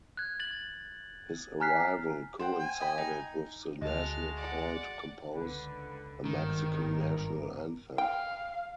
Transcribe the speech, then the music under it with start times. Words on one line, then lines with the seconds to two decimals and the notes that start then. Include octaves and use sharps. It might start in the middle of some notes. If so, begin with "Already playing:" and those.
His arrival coincided with the national call to compose the Mexican National Anthem.
0.17 F#6 G#6
0.40 A6 F#7
1.60 G#5 A#5 F6 F#6 B6 C7
2.39 C5 F#5 G5
2.60 G#5
2.80 D#5 G5 B5
2.98 D#4
3.82 D2 G#3 A3 F#4 D#5 A5 F6
4.36 D5 F#5
5.35 C#2 D3 B4
6.25 G#1 G2 D#3 A#4
7.98 F5 G5